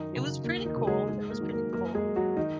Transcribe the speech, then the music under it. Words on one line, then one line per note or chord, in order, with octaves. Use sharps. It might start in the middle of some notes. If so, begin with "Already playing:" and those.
it was pretty cool, it was pretty cool.
Already playing: F#2 D#3 D#4
C#3 F#3
D#2 A#3
D#3 D#4
C#3 F#3
G#3 G#4
G#2 G#3 G#4
A#3 A#4
D#3 F#3
A#3 A#4
F#2 A#3 A#4
G#3 G#4
F#3
F#3 F#4
D#3 D#4